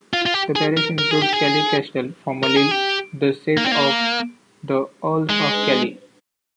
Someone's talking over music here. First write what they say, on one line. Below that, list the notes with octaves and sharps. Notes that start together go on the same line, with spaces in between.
The parish includes Kellie Castle, formerly the seat of the Earls of Kellie.
F4
F4
G4
G#4
A#4
A#4
G#4
G4
G#4
A#4
G#4
G4
A#3
C4
A#3
G#3